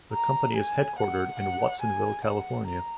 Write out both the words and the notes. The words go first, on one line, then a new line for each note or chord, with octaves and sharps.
The company is headquartered in Watsonville, California.
A#5
G#5
F#5
F#5
G#5
F#5
A#5